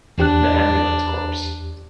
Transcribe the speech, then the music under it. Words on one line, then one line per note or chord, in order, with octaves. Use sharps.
The Ambulance Corps.
E2 D4 G4 F#6